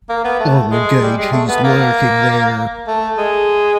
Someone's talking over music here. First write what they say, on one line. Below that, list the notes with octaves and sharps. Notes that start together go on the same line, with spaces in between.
I’ll engage he’s lurking there.
A#3
B3
A3
G#3
G3
G#3
A3
B3
A#3
A3
G#3